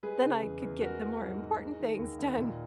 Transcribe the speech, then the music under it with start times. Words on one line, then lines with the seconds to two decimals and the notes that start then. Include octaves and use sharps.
then I could get the more important things done
0.03 G#3 G#4 B4
0.23 C#3
0.42 E2
0.62 E2
0.81 G#3 F#4 A#4
1.01 E3
1.21 G#2
1.40 G#2
1.59 G#3
1.80 D#3
1.99 D#2
2.19 D#2
2.38 A#2